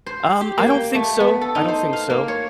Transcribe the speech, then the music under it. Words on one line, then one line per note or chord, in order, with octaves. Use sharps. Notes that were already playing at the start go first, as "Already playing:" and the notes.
um I don't think so, I don't think so.
C5
G4
A#3
G5
A3
B3
A4
D#4
C5
F5
A#3
C#5